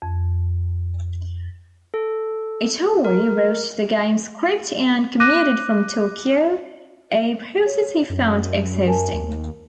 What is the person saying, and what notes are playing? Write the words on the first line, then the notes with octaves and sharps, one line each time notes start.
Itoi wrote the game's script and commuted from Tokyo, a process he found "exhausting".
F2
A4
A#4
D6 F#6 A#6 D#7
C#5
F#2
A#4 G#5 A5
D#2